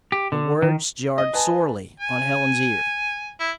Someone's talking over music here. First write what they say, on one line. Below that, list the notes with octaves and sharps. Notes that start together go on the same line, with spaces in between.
The words jarred sorely on Helen's ear.
G4
D3
D#3
D#5
B4 G#5 A5
G#5
E4